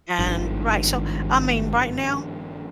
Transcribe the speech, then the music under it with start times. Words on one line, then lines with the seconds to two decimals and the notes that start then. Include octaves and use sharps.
And right, so, I mean, right now,
0.19 G#1 G2 D#3 F3